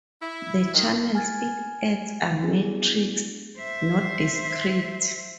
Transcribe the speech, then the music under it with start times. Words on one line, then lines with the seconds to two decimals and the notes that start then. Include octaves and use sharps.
The channels it adds are matrixed, not discrete.
0.22 E4
0.74 A2 D#3
1.15 G#5 F6 G#6 A6
2.43 B3 D4 E4 F#4 G#4
3.57 C5 E5